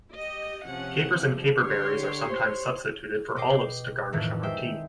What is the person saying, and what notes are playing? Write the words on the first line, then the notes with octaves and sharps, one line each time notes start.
Capers and caper berries are sometimes substituted for olives to garnish a martini.
G4 D#5
C3 F3 C#4 F#5
F3 G3
D3 G4 C#5 C6
C5
B2 D#5 G5 D6 C7
F2 A2 D#3 E3
G#3 D#4 C5 E5 G5